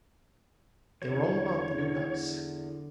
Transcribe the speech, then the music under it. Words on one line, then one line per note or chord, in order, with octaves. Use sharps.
They were all about the new house.
E2 D3 F#3 C#5